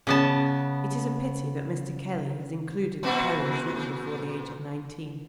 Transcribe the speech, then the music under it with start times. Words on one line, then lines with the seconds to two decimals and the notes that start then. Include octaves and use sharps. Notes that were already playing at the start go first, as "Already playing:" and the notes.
It is a pity that Mr. Kelly has included the poems written before the age of nineteen.
0.07 C#3 B3 A5
3.03 A#2 C4 F#4